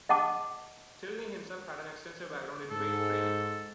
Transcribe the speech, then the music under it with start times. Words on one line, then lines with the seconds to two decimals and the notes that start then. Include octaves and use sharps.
Tilney himself had an extensive background in weight training.
0.09 D#5 F#5 A5 D6
2.70 G#2 A4